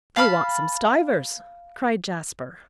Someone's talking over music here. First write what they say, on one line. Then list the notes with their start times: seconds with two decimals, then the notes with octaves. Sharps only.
"They want some stuivers," cried Jasper.
0.16 F5 A5 B5 F6